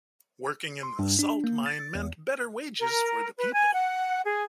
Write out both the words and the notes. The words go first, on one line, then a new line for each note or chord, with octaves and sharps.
Working in the salt-mine meant better wages for the people.
C6
G2
D4
A#3
A6
E2
A#4
B4
G#5
F#5
G#4